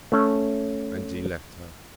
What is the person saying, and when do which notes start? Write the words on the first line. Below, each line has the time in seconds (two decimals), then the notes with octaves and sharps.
And he left her.
0.12 A3 C#4